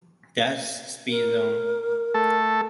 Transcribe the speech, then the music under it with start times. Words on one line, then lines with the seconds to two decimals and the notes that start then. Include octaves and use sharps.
That's "Speed Zone".
1.10 A#4
2.14 A3 A4